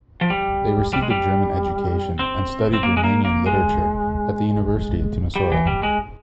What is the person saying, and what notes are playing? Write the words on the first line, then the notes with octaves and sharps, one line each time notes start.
They received a German education and studied Romanian literature at the University of Timisoara.
F3
G3
G3
G#3
G3
C4
C4
A#3
G#3
A#3
A#3
G#3
G3
E3
G3
G#3